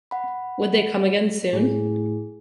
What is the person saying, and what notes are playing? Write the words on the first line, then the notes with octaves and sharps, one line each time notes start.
Would they come again soon?
F#5 B5
A2 G#4